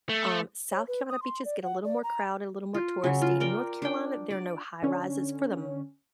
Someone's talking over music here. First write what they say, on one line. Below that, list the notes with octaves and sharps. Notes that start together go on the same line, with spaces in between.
um, South Carolina beaches get a little more crowded, a little more touristy, North Carolina, there are no high-rises for the m
A3
C#5
B4
D#6
C6
D5
F#5
D5
A#5
F4
C#3 F#3
F4
A#4 D5 G5
D4 G5
D5
D3 C#4